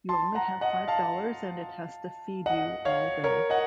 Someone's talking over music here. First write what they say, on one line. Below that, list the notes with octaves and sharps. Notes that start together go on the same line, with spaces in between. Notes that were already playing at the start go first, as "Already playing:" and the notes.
You only have five dollars and it has to feed you all day.
A5 C6
F#5 A#5
D#5 F#5
F5 A5
D#5 F#5
C#5 F5
A#4 C#5
D#5 F#5